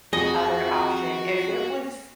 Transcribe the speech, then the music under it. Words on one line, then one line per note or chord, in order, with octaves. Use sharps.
other option, if it was
F2 F#4 G#4 D#5